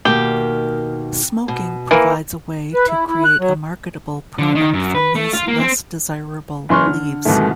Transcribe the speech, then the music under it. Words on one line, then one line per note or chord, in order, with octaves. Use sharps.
Smoking provides a way to create a marketable product from these less desirable leaves.
B2 D#3 A#3 G4
B2
E3 A#3
B4
E4
E4
F#6
F#3
D3
D#3
F#2
B4
A3
F4
A#3
C4
F#1 E3 C6 C#6 F6
D3
C2 G#2 B2 D#3 E3 A3